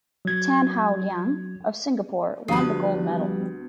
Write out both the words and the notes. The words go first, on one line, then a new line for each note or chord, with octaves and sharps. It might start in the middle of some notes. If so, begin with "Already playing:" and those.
Tan Howe Liang of Singapore won the gold medal.
F#3 G#6
D2 F3 G3 B3 B4 D#6 C7